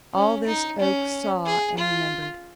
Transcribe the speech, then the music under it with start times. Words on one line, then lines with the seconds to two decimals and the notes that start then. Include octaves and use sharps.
All this Oak saw and remembered.
0.14 C#4
0.47 D#4
0.79 C#4
1.46 G#4
1.78 F4